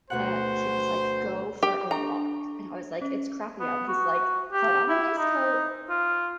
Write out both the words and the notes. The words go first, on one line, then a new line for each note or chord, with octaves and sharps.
and he was like, "Go for a walk." and I was like, "It's crappy out." he's like, "Put on a nice coat,
D2 B2 C5 F#5
G4
D4 A4 A#5 C#6
C#4
B3
F#4
G4
E4
D#4
F4